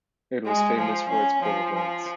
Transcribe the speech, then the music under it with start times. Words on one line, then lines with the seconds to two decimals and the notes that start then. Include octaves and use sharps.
It was famous for its boulevards.
0.45 G#3
0.77 F3
1.10 C#4
1.42 F3
1.75 F3